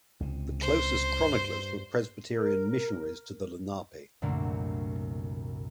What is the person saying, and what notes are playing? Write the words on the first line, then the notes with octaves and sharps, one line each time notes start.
The closest chroniclers were Presbyterian missionaries to the Lenape.
C#2 C3
C5
G2
A#4
C2 F#2 A#2 D3 A3 A#3